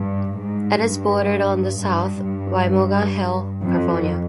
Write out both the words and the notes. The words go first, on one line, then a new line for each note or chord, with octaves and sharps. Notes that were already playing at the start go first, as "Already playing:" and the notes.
It is bordered on the south by Morgan Hill, California.
Already playing: G2
G#2
G2
G2
G2
F2